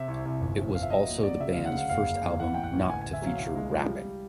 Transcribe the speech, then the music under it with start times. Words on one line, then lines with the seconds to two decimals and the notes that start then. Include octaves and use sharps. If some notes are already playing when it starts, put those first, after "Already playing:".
It was also the band's first album not to feature rapping.
Already playing: C3 E5
0.08 C2
0.26 C2
0.41 G1
0.57 F2
0.74 G1 F5
0.82 E5
0.90 F#3 D#5
1.07 D#2
1.23 F#3 D5
1.40 C#3 E5
1.53 F5
1.57 D2
1.66 F#5
1.73 C#3 F5
1.89 F#1 F5
2.06 F#1
2.23 E2
2.40 E3 F#5
2.54 A1 G5
2.63 F#5
2.73 A1
2.89 D2 G#5
3.01 G#5
3.06 D2
3.13 E5
3.22 F#3 F5
3.38 C2
3.55 G#3
3.71 F3
3.88 G3